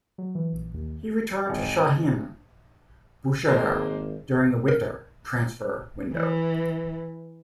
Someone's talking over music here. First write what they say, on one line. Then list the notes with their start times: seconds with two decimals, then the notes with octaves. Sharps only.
He returned to Shahin Bushehr during the winter transfer window.
0.18 F#3
0.35 E3
0.52 A#1
0.74 D#2
1.49 G#1
3.48 G#1 G#3 A#3 C5
4.68 A#4
6.11 E3